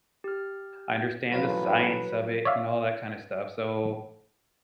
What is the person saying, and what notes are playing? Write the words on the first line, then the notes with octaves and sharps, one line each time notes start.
I understand the science of it and all that kinda stuff, so
G4 F6
A1 F3 F#3 F4 B4
C#5 D5 E5 F5